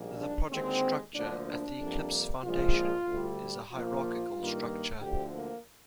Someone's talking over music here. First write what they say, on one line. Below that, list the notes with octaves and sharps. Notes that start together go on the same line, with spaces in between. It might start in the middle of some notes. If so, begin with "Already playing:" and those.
The project structure at the Eclipse Foundation is a hierarchical structure.
Already playing: A#1 G#2 G3 A#3
D4
D#2 D3 G#3 C4
D2 D3 F3 A#3 D4
D4
F2 C3 G3 A#3
A#1 A#2 F3 G#3 F4
D2 D3 G3
A#1 A#2 F3 A#3 F4
G2 D#3 A#3
D2 D3 F3 G4
A#3